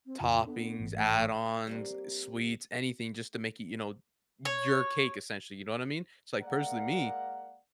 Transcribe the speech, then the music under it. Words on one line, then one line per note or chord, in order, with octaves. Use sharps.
toppings, add-ons, eh, sweets, anything just to make it, you know, your cake, essentially, you know what I mean? It's, like, personally, me,
C4
F2 C#3 F4
B3 D4 A4
G#1 G#2 E3
A3
G3 A#3 C4
C#5
G#3 A#3 A#4 D5 F5 F#5